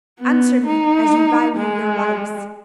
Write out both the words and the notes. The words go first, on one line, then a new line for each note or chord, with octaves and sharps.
Answer me, as you value your lives.'
B3
D#4
G#3